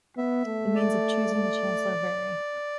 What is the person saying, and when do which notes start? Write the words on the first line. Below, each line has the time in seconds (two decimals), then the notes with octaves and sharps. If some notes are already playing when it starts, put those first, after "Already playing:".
The means of choosing the Chancellor vary.
0.17 B3 E5
0.46 A3
0.75 D5
1.34 A3